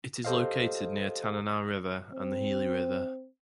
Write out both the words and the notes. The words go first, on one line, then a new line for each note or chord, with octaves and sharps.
It is located near Tanana River, and the Healy River.
G4 A4 C5 D#5 F5
C4